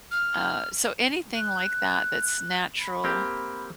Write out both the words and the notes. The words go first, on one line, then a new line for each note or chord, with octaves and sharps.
uh, so anything like that that's natural
F6
F#6
B5
A#3 C4 G4